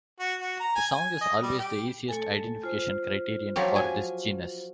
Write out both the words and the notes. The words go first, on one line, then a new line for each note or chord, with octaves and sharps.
The song is always the easiest identification criterion for this genus.
F#4
F#4
A#5
G#5
G#5
D#5
G3
G4
A3 A4 G#5
F4 C5
F3 F#3 G4
G#5